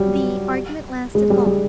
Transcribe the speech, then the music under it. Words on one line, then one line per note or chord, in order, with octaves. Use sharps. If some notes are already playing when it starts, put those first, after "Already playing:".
The argument lasted long.
Already playing: F#3 G3
G#3
G3
G3